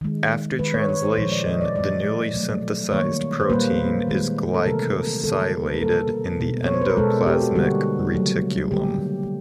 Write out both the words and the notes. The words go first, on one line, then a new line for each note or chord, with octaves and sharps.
After translation, the newly synthesized protein is glycosylated in the endoplasmic reticulum.
D#3 G#3
D#3 G#3 B4
C#5
C#5
C5
A#2 F3 G#3 C#5
D5
D#5
D5
B2 G#3 D5
B2 F#3 A3
D#3 G3 A#3 C#5
C5
A#2 G3 A#3 B4
D#3 G#3
A4
C3 E3 A3 A#4
D3 G3 A#3 A4
B4
A#4
B2 G3 A#3 A4
B2 G#3
C#5
C5
B4
A#4
B2 G#3 A4
G4
F#4
D3 G3 A#3 F#4
C#3 F#3 A3
D3 G3 A#3 G4